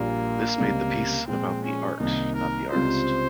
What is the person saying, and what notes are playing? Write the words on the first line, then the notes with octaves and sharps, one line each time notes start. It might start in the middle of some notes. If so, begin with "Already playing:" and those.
This made the piece about the art, not the artist.
Already playing: A#1 A#2 G3 A#3
C#2 C3 G3
A#2 F3 G#3 C4
C#4
C2 C3 D#3 A#3 D#4
A#4
C#2 C3 G3 C4 F4 C5